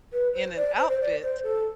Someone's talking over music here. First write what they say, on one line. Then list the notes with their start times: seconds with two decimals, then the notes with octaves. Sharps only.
in an outfit
0.13 B4
0.34 C5
0.56 D5
0.78 C5
0.89 C5
1.01 D5
1.22 C5
1.44 A4